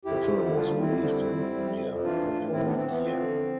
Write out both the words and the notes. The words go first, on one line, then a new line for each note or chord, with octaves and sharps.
The film was released in India the following year.
F2 E4 G4
F2
D3
E4
G3 D4 F4
F2
C4 E4
D3
G3
F2
G3
G3
F2
F2
E3 D4 F4
A2
A2
A2 C4 E4
B3 D4
E3
C4
E3 B3
F3 C4
D3